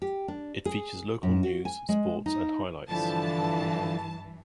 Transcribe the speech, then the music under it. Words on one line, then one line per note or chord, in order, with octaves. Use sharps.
It features local news, sports, and highlights.
G4
D4
G#4
F#2
F#4
G#5
G#3
D#4
G2 D3 E3 F3 A5